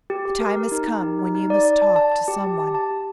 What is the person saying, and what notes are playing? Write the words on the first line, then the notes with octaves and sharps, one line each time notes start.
"The time has come when you must talk to some one."
G4
G4
A#4
A#4
D#4
G4
D#4
D#4
D#4
D5
D5
A5
A5
A5
G4
G4
A5
A5
G4